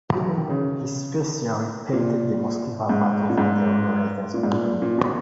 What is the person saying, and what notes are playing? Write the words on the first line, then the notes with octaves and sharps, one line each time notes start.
He specially painted the Moskva battle for the royal residence of Munich.
F#3
E3
D#3
C#3
A#2
G#2
A#2
G#2
A#2
G#2
A#2
A#2
B2